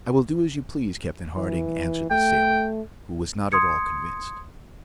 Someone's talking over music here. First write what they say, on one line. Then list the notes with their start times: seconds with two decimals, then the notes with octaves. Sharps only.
"I will do as you please, Captain Harding," answered the sailor, who was not at all convinced.
1.37 E3
2.11 A3 G5
3.52 C6 D#6 G#6 C#7